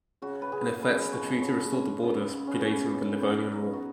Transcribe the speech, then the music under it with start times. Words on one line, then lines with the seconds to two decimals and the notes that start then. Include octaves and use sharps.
In effect, the treaty restored the borders predating the Livonian War.
0.22 C#3 F#4
0.42 B4
0.52 C#3 G#4
0.82 F#3 B4
1.12 B2 C#5
1.42 B2 C#5
1.72 G#3 C#4
2.02 C#3 B3
2.32 C#3
2.47 C#4
2.54 B3
2.61 G#3 C#4
2.92 B2 B3
3.22 B2 C#4
3.52 F#3 D#4
3.73 F#4